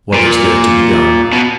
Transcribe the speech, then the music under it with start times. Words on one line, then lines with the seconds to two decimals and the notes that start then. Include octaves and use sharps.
What is there to be done?
0.14 A#2
1.33 B2